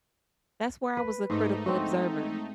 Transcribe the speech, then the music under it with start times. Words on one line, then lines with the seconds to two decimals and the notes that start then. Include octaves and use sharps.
That's where I was a critical observer.
0.97 B4
1.30 G#2 A3 D#4
1.66 C4 D4 F#4